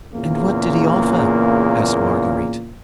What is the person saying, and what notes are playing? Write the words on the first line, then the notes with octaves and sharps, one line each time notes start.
"And what did he offer?" asked Marguerite.
E2 A#2 C#3 A#3